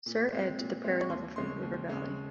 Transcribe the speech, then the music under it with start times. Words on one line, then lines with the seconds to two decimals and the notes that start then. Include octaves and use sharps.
Sir ed to the prairie level from the river valley.
0.06 A#2
0.32 G#3 C4
0.58 A#2
0.84 G#3 C4
1.01 C#6
1.10 D#2 C6
1.36 C#3 G#3 C#4 C6
1.63 D#2
1.88 C#3 G#3 C#4